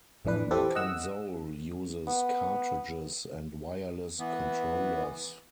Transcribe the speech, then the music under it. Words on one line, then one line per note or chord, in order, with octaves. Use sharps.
The console uses cartridges and wireless controllers.
A1 F2 E3 D4 B4
E3 C4 G4 A4 B4
D#5 F#5 E6
B3
E3 B3